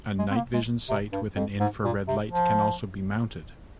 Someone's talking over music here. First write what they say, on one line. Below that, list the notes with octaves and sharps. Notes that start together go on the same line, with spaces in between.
A night vision sight with an infra red light can also be mounted.
G#3
C4
A#3
G#3
C3
G2
F2
G#2
A#2
C3
F3